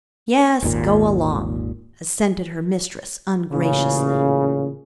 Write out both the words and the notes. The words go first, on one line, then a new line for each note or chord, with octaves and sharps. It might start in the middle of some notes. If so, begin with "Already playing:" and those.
"Yes, go along," assented her mistress ungraciously.
G#1 D#2 A#2
A1 A#2 C#3